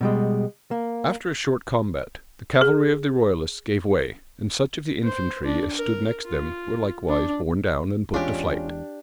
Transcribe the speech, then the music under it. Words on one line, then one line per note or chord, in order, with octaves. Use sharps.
After a short combat, the cavalry of the royalists gave way; and such of the infantry as stood next them were likewise borne down and put to flight.
B2 G3 G#3
A#3
G#4
C5
D4
A#4
F4
D4
E2 E3 G#3 C#4 D4 F4 G4